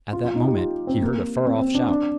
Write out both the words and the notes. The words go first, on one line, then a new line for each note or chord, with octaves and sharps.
At that moment, he heard a far-off shout.
F4
F4
D#4
G4
F4
C4
A#3
C4
C4
D4
D4